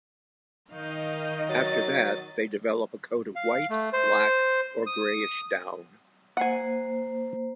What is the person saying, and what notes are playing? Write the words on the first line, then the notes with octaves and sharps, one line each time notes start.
After that, they develop a coat of white, black or grayish down.
D#3 D#5 F5 G6
F#3 A6
F5
A3
C5
D#6
A#3 C5 F#5 G#5